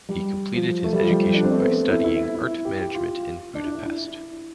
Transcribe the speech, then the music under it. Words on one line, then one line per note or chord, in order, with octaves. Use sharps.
He completed his education by studying Art Management in Budapest.
G3
F3
A3
G3
F3
G3
D4
C4
A3
B3
E4
E4
E4
G4
G4
F4
D4
E4
D4
E4